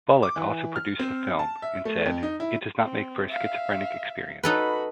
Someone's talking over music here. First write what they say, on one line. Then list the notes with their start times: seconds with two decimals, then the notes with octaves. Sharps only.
Bullock also produced the film, and said, It does make for a schizophrenic experience.
0.23 D6
0.36 E3
0.76 F6
0.99 C4
1.39 A5
1.62 E5
1.85 A3
2.06 F2
2.23 D#4
2.40 E4
2.84 C4
3.28 E5 F5
4.43 D#4 F#4 A4 B4 B5